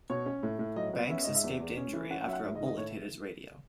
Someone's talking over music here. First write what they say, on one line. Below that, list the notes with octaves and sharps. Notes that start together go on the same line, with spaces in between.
Banks escaped injury after a bullet hit his radio.
B2 C#5
C#4
A2
A2
F#3 D#5
B3
C#4 E5
G#2 D#5
E5
E2
E2
C#4
E3
C#4 F#5
F#5
F#3 E5
F#5
G#2 E5
D#5
D#3
D#5
A2 C#5